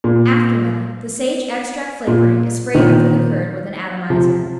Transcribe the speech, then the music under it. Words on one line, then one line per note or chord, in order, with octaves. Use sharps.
After milling, the sage extract flavoring is sprayed over the curd with an atomizer.
A#2
A#2
A#2 D#3
C3 F3